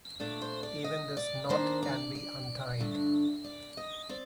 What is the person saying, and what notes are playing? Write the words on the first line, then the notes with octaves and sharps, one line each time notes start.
Even this knot can be untied...
A#2 A3 D4 D5
C5
D5
D#5
D5
D#3 A#3 D4 C5
D5
D5
G2 D3 A3 D4
D5
D#5
C4 D5